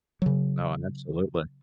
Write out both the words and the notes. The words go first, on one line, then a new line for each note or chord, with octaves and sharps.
No, and absolutely.
C#3 F#3